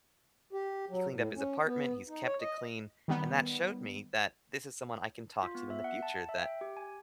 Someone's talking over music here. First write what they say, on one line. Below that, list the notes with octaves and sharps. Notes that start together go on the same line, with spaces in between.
He cleaned up his apartment, he's kept it clean, and that showed me that this is someone I can talk to in the future, that
G4
F#3
A2
C#4
B3
D#4
C#5
D#5
D#3 G3 B3
F4
B3
E5
F#5
A5
E5
G5
G4
G#5